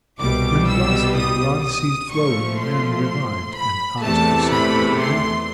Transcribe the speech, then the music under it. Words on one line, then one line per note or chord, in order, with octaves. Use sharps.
When at last the blood ceased flowing, the man revived and asked for something to drink.
C2 B2 G3 D6
E6
D#6
D#6
A#2 F3 A3 C#6
C6
B5
E2 C3 E3 A3 A5
B5
C6